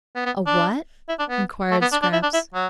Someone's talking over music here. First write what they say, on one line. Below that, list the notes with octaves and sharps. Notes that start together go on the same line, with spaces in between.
"A what?" inquired Scraps.
B3
B3
D4
E4
D4
B3
A3
B3
D4
D4
E4
D4
E4
F#3